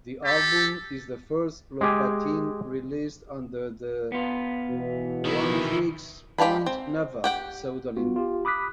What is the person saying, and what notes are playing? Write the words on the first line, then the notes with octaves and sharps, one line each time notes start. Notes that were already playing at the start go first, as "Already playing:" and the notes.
The album is the first Lopatin released under the "Oneohtrix Point Never" pseudonym.
G4 A4
G#3 G4 G#5
B3 F4
B2 E3
D#3 E4
G#3 G4 F5 A5 B5
C4
G4 F#5 G5
B3 F4 F#4
F4 G4
B5 D6 D#6 F#6 B6